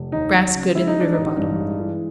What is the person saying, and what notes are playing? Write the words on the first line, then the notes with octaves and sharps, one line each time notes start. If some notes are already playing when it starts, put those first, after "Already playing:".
Grass good in the river bottom.
Already playing: F1
D#2 D#4
F#3
C#3
G#3 E4
D#4
E3 D4
A1 D#4
G2
G#3
E3